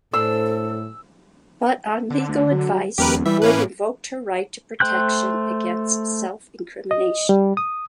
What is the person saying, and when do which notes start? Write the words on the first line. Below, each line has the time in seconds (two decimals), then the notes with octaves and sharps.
But, on legal advice, Wood invoked her right to protection against self-incrimination.
0.13 A2 D4 A4 B4 C5 E6
2.10 D3
2.28 D2
2.51 F#3
2.98 D1 E2 G4 A#4 B4
3.26 E3 G3 E5
3.42 A2 A#3 C#4 B4
4.80 A3 C5 G5 F#6 G6
6.91 D#5
7.29 G3
7.57 D#6